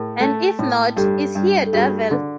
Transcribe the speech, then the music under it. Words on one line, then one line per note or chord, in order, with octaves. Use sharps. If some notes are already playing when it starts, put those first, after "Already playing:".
And if not, is he a devil?
Already playing: A2 G#4 A#4
A3
A2
G2 G4 A4
G2
A4
G2 F#4 G#4
D3